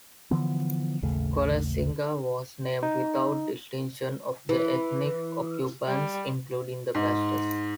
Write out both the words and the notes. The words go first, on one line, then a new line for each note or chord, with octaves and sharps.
Quillasinga was named without distinction of the ethnic occupants including the Pastos.
D3 E3 F3 B3
A1 D#2 C#3 A3
D#4
E3
G3
G#2